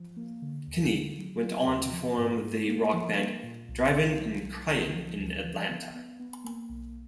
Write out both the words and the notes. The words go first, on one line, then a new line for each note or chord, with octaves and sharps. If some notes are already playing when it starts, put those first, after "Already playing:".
Kinney went on to form the rock band Drivin' N' Cryin' in Atlanta.
Already playing: F3
A#3
D3
D#2
D3
F#3
F#3
D#2
F3
G#2
G#2
A#3
F3
A#3
A#2
B1
B1
F#3
B1
B1
F3
D2
F3
B3
B3
B3
A#3
B1